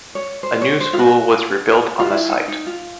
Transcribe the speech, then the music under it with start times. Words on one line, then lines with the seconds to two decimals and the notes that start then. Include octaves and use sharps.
A new school was rebuilt on the site.
0.15 C#5
0.43 C5
0.62 C#5
0.80 C5
0.93 F4
0.99 F#4
1.99 F4
2.10 E4
2.29 D#4
2.48 D#4
2.66 F4